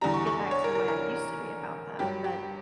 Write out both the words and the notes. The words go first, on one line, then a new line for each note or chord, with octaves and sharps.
get back to the way I used to be about that. But
E2 D3 G3 A#5
C#6
C#6
C#5
A#4
A#4
A#4
G2 F#3 G4
G4